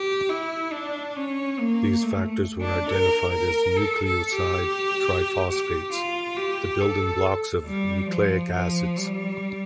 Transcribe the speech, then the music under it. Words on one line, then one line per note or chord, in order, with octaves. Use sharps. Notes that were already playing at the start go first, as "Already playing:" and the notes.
These factors were identified as nucleoside triphosphates, the building blocks of nucleic acids.
Already playing: G4
E4
D4
C#4
A#3
A3
D4
A#4
A#4
A4
A4
G4
G4
F4
G4
A4
G3
F3
F3
G3